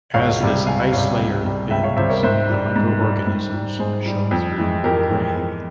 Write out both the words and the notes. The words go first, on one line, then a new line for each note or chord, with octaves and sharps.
As this ice layer thins, the microorganisms show through grey.
C#2 C#5 F5
C3 G3
C#2 F5 G#5
C3 G3 C#5 F5
C#2
C3 G3
C#2 E5 G5
C#5 F5
C3 G3 C5 E5
A#4 C#5
G#2 C5 E5
G3
G#2
G3
G#2
G3
G#2 G#4 C5
G3
F2
E3 G#3
F2 G4 A#4
E3 G#3
F2